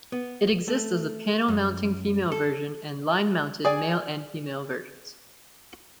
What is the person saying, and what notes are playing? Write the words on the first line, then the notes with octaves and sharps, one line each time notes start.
It exists as a panel-mounting female version, and line-mounted male and female versions.
B3
A3
F#2
A4
G#4 D5 G#5